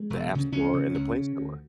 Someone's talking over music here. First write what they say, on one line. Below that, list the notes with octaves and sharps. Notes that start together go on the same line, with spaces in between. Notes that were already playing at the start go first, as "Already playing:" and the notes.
the App Store and the Play Store.
Already playing: G#3
E1
D2 C#3
C#2 C#4
C#3
C#2
C#3
D2